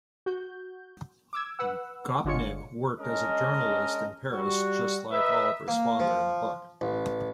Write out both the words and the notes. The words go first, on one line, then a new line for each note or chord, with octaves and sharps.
Gopnik worked as a journalist in Paris just like Oliver's father in the book.
F#4 G6
D6 E6 G#6
B4 F#5 E6
G1 D3 G#3 F4 C#5 C#7
G#3 C#4 D4 A#4 D#5
G3 F#4
A#4 B4 D#5 E5
A#3
F3
A1